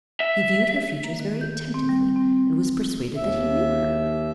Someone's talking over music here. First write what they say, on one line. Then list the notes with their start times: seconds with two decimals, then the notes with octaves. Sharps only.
He viewed her features very attentively, and was persuaded that he knew her.
0.20 E5
1.04 A#3
1.20 D#3
1.41 G6
1.74 C4
1.89 G3
2.16 C4
3.16 D#2 E5